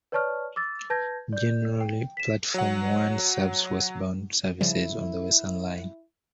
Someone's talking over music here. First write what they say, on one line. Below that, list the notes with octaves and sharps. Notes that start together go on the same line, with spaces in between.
Generally Platform One serves westbound services on the Western Line.
B4 C#5 D5 A5 C#6 F6
D6 E6 A6
B4 A5 G6 G#6 A#6
D5 G6
G5
B6 E7
F#3 F#5
C#3 F3 G3 E4